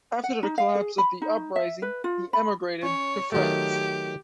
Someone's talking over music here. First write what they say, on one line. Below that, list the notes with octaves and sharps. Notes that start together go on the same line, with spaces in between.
After the collapse of the Uprising he emigrated to France.
F#5
D#4
F5
G#4
B5
D#4
E5
B4
F4
B5
C#4 C#5
D#3 F#3 A3 G4